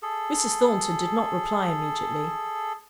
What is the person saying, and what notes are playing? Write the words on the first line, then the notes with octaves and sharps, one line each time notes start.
Mrs. Thornton did not reply immediately.
G#4 A4